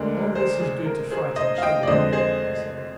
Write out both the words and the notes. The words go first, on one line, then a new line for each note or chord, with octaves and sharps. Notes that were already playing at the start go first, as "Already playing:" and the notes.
"All this is good to frighten children with," he said.
Already playing: D2 D3 G#3 A#4 D5
G#4 C5
G#4
A#4
G#4 C5
C5 D#5
F5
D#5 G5
D5
F2 D3 G#3 C5 D#5
G#4 C5